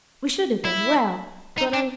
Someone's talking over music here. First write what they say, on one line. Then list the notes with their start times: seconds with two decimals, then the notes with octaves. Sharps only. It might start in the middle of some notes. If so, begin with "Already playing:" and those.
We should have done well, but alas!
0.65 E4
1.58 D#4
1.74 D4